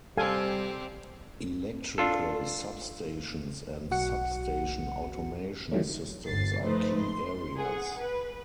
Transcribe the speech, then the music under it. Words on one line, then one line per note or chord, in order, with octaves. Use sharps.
Electrical substations and substation automation systems are key areas.
C3 G3 C4 G4 A4 F5 G#5
D4 F4 A4
B1 F#4 F#5 C#7
D#3 E3 F#3 G3 A3 C#4
G1 A6 C7
F3 A3 D#4 B4 C5
C6
G#4 F#5
B4